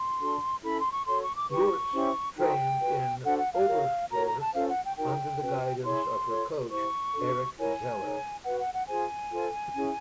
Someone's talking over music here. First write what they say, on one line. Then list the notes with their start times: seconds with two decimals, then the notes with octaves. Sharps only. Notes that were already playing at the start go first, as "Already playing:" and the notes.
Lurz trained in Oberstdorf under the guidance of her coach, Erich Zeller.
Already playing: C6
0.20 D4 F#4 A4
0.63 C#4 E4 A4 B5
0.78 C6
0.92 C#6
1.06 F#4 A4 C#5 C6
1.21 C#6
1.36 D6
1.50 D#4 G4 B4 C#6
1.93 C#4 E4 G4 C5
2.36 D#4 F#4 A4 C5 G5
2.80 F#4 B4
3.24 D4 F#4 A4 C5 F#5
3.38 F#5
3.52 F5
3.67 F#4 A#4 C#5
4.10 F#4 A#4 C#5 A#5
4.25 A#5
4.39 A5
4.53 C#4 F4 A4 C5 F5
4.68 F#5
4.83 G5
4.97 D#4 F#4 A#4 G5
5.40 C#4 F#4 B4
5.83 E4 G#4 C#5 C6
6.27 F4 A4 C#5
6.70 E4 G4 C5 C#6
7.14 D4 F#4 A4
7.58 E4 G4 A#4 C#5 G#5
8.00 D#4 G#4 C#5
8.44 F#4 B4 F#5
8.59 F#5
8.73 F#5
8.87 F4 G#4 C5 G#5
9.31 F4 A4 C5
9.75 C#4 E4 G#4